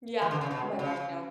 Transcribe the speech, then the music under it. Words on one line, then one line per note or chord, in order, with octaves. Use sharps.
Yeah. Oh my gosh, yeah.
E3
D3
C#3
B2
C#3